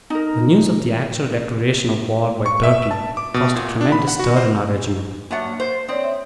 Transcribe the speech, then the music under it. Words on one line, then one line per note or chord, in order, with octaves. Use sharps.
The news of the actual declaration of war by Turkey caused a tremendous stir in our regiment.
D#4 A#4
C#6
E5
A5
D6
B2
A#2
D4
B5
F#5
F#4
C5
G2 F#3 A#3 E5 F#5 A6
C5
C4 C#5 D5 D#6
E5